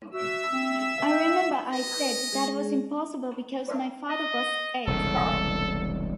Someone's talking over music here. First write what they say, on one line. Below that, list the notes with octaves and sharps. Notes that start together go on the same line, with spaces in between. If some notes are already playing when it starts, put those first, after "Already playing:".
I remember I said, that was impossible because my father was dead.
F#4 E5 E6
C4
G5
B4 D#5
G#3 G#4
D#5
E1 C2 C#3 A4